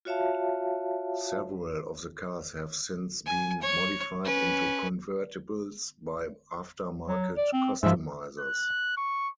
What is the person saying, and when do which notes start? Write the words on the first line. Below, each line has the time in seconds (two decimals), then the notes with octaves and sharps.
Several of the cars have since been modified into convertibles by after-market customizers.
0.05 F4 F#4 C#5 E5 F5 A5
3.26 G#5
3.62 C#5
4.24 C#4 B4
7.08 F#3
7.37 D5
7.53 C4
7.83 G#2 F3 E5
8.39 F#6
8.97 C#6